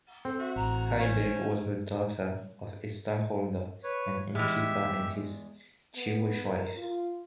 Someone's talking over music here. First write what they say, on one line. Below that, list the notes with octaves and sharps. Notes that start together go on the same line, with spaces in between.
Heiberg was the daughter of a stallholder and innkeeper and his Jewish wife.
C4 A4
F#4 E5
A1 A#5
C#4 C5
B4 C#5
E2 G#3 G4 E5
B3
A#4
F4